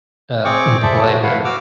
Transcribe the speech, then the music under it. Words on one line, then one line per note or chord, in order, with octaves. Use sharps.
uh, in play there.
C4 G#4 G5 C#6 D6
G#4 A4 C5 D5 E5
F#4
A3 E4 B4 F5 F#5
F#4 D6 E6 F6